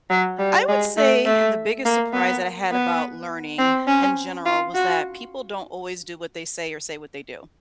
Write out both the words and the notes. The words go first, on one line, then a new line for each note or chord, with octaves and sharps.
I would say the biggest surprise that I had about learning in general was that people don't always do what they say or say what they do.
F#3
G3
G#3
A3
A3
A#3
B3
B3
C4
C#4
F4
F#4